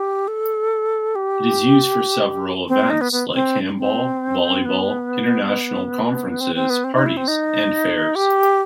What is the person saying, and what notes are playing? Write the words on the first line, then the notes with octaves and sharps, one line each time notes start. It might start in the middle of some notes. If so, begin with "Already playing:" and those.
It is used for several events, like handball, volleyball, international conferences, parties and fairs.
Already playing: G4
A4
G4
C4
D#4
B3
B3
C4
C4
B3
C4
C4
B3
C4
D#4
E4
C4
D#4
G4